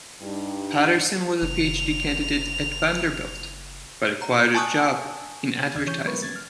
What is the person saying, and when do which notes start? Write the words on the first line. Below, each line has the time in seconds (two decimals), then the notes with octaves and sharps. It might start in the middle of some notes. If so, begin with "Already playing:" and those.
Patterson was a Ph.D. candidate at Vanderbilt, but acquired a job in advertising.
0.22 G2 G3 D4 D#4
1.42 F#1 F7
4.22 A#5
4.55 G#5 A5 C#6 D#6 F#6
5.75 D#2 D5 E6 F6 G#6
5.87 E3 C#4 C#5 C#6 G6
6.05 F#3 G#3 B3 A#4 B4 C#6
6.22 C#4 G#6 A6
6.36 F6